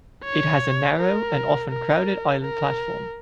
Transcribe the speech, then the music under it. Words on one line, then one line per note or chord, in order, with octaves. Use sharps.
It has a narrow and often crowded island platform.
C#5
A#4
A#4
A#4